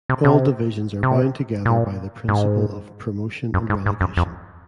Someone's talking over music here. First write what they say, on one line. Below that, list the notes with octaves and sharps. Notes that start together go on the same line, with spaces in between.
All divisions are bound together by the principle of promotion and relegation.
C3
C3
C3
A#2
G#2
F#2
G#2
G#2
F#2
F2